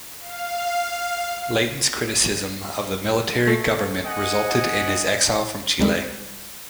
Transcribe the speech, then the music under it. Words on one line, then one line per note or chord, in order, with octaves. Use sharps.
Leighton's criticism of the military government resulted in his exile from Chile.
F5
A3
D#5 F#5 G#5
D2 C3 D#3 G3 G#3